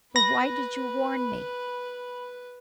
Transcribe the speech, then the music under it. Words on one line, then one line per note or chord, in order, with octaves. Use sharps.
But why did you warn me?
B4 B5 A#6